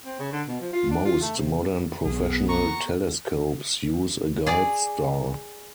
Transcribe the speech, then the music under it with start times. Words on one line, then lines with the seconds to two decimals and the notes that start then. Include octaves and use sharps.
Most modern professional telescopes use a guide star.
0.05 C4
0.19 C#3
0.32 D3
0.48 B2
0.61 F3
0.73 F4
0.91 D4
1.05 F4
1.21 A3
1.37 C3
2.05 B1 B3 G#4
2.49 A#5 C#6
4.47 G#4 D5